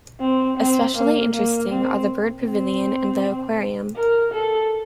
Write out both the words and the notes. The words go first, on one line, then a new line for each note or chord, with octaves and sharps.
Especially interesting are the bird pavilion and the aquarium.
C4
C4
A#3
A#3
C4
C4
A#4
A4